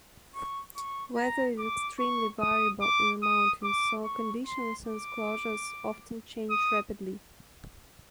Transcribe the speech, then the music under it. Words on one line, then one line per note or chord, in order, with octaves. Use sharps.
Weather is extremely variable in the mountains, so conditions and closures often change rapidly.
C#6
C#6
A#5
D6
C#6
D#6
D6
D#6
D6
C#6
C6
D6
D#6